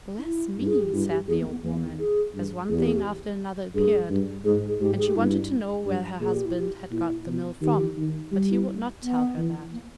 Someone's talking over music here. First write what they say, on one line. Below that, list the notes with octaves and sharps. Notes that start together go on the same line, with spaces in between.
"Bless me!" said the old woman as one thing after another appeared; and she wanted to know where her husband had got the mill from, but he would not tell her that.
D#4
E4
G2
G#4
G4
G2 E4
G4
E2 G#4
A#3
B3
E2 A#3
G#4
G2
E2 G#4
G4
G#4
G4
G2 G#4
G2
G#2 G#4
G#4
G#2 G4
G#4
G4
G2 E4
G2 G4
A#2 G#4
G4
E4
G4
A#2 E4
B2
D#3 G4
D#3
G3 G4
E4
B3
E3
A#3